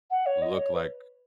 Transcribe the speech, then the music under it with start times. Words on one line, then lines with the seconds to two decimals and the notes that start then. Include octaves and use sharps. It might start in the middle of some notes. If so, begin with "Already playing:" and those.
look like
0.10 F#5
0.26 C#5
0.42 D#5
0.57 C#5
0.73 B4